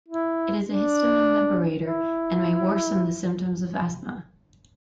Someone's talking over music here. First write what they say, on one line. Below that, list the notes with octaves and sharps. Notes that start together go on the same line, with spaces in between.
It is a histamine liberator, and may worsen the symptoms of asthma.
E4
D4
E4